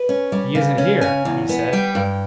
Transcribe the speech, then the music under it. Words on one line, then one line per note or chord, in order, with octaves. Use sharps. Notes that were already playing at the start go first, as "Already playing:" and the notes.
"He isn't here," he said.
Already playing: B4
C#4
G3
C#3
C#4
C#3 G#5
E2
B3
G3 G5
G2